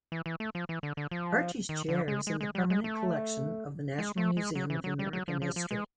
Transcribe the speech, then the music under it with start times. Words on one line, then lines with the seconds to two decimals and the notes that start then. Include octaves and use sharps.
Archie's chair is in the permanent collection of the National Museum of American History.
0.12 E3
0.26 E3
0.40 A3
0.55 F3
0.69 E3
0.83 D3
0.97 D3
1.11 F3
1.69 D#3
1.88 D3
2.08 G#3
2.27 G#3
2.41 G#3
2.55 G3
2.70 G#3
2.84 A3
3.99 G#3
4.18 A3
4.37 G#3
4.55 F#3
4.70 E3
4.84 F#3
4.99 G3
5.13 F#3
5.28 F3
5.42 F3
5.56 F3
5.71 G#3